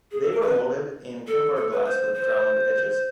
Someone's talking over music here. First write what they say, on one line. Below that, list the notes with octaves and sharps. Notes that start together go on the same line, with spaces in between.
They were molded in tempered glass with ground edges.
G#4
A4
A#4
B4
A4
A4
B4
C5
C5